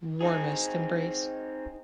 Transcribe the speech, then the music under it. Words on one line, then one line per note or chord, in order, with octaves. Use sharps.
Warmest embrace.
C4 D#4 G#4